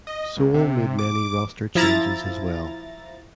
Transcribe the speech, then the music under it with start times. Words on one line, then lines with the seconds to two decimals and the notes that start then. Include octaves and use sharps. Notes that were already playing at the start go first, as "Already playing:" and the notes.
Seoul made many roster changes as well.
0.07 D#5
0.37 C#2
0.54 C3
0.99 D6
1.75 F3 E4 A#5 A6